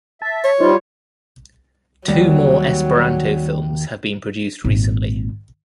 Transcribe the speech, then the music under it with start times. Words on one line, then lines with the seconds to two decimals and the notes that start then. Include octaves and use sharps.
Two more Esperanto films have been produced recently.
0.22 E5 A5
0.44 C#5
0.60 G3 D#4 F4 C5
2.08 D#2 F#3 G3
4.64 G#1 A#2